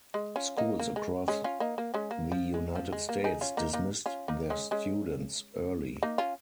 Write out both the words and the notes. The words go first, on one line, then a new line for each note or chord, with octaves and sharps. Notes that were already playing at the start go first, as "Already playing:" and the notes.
Schools across the United States dismissed their students early.
G#3
C#4 F4
A#3 D#4
A#3
G#3
G#3 C#4
C#4 F4
A#3 D#4
A#3
G#3 C#4
A#3
F3
G#3
F3
G#3
A#3
D#4 G#4
C#4 F4
A#3 D#4
A#3 D#4
C#4 F4
A#3 D#4
G#3 C#4
G#3 C#4
A#3 D#4
C#4 F4